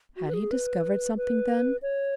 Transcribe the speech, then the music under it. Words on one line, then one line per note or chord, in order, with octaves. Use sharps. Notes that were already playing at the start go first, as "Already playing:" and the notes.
Had he discovered something then?
F#4
B4
G#4
B4
B4
C#5